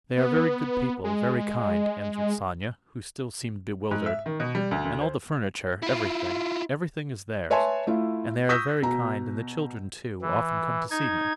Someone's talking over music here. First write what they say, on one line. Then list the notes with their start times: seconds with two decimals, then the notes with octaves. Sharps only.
"They are very good people, very kind," answered Sonia, who still seemed bewildered, "and all the furniture, everything... everything is theirs. And they are very kind and the children, too, often come to see me."
0.17 B3
1.04 G#3
3.91 G#2
4.06 E5
4.26 D#3
4.40 B2
4.55 G3
4.71 D2
4.85 D2
5.01 C5
5.83 E4 F4
7.50 B4 C#5 E5 G#5 A5 C6
7.87 A3 E4 F4
8.49 C#6 D#6 E6 G6 A#6 B6
8.82 B2 A#5
10.21 E3
10.90 D#4 G#6